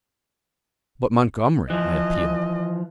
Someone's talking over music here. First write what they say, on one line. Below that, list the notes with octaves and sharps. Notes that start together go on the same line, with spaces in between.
"But, Montgomery," I appealed.
E3 F3 D#5